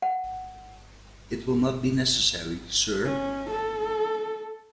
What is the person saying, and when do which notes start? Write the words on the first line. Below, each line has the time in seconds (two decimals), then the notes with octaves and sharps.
It will not be necessary, sir.
0.02 F#5
3.04 C#4
3.50 A4